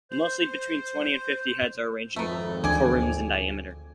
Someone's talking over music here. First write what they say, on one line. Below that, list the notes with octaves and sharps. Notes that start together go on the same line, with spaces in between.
Mostly between twenty and fifty heads are arranged in corymbs in diameter.
C5
G#1 F2 A3 B3 E5 A#5
D2 E3 D4 G#4 D5 G#5 D6